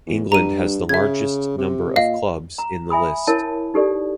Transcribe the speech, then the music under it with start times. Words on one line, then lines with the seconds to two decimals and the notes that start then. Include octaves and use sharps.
England has the largest number of clubs in the list.
0.06 E2
0.32 G2 A#5 D#7
0.89 C#3 E5 G#6
1.58 C3
1.96 A#2 D#5 F5
2.58 A#5
2.90 E5 G#5 B5 D#6
3.27 E4 A#4 C#5 A5
3.74 D#4 G4 A4 D5